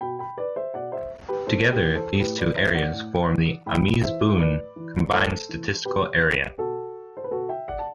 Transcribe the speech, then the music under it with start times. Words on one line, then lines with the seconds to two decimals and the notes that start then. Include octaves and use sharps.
Together, these two areas form the Ames-Boone Combined Statistical Area.
0.01 B2 G5 B5
0.19 G5 B5
0.37 B4 D5
0.56 C5 E5
0.74 B2 D5 F#5
0.92 C5 E5
1.29 G4 B4
1.47 A2 A4 C5
1.71 G4 B4
1.84 E3
1.95 A4 C5
2.20 A2 G4 B4
2.38 B4 D5
2.56 E3 C5 E5
2.75 D5 F#5
2.93 A2
3.30 E3
3.66 A2 G5 B5
4.02 E3 C5 E5
4.39 A2 B4 D5
4.76 E3
5.12 A2 A4 C5
5.49 E3
5.85 B2 G4 B4
6.58 B2 F#4 A4
7.17 C5
7.24 B4
7.31 B2 F#4 A4
7.49 E5 G5
7.68 D5 F#5
7.79 A5